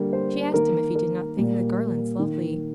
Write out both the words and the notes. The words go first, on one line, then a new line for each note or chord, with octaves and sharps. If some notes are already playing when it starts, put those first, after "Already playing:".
She asked him if he did not think the garlands lovely.
Already playing: D3 G3 A#3
C5
D#3 A#3 A#4
A#4
A#2 G3 A#3
D#3 A#3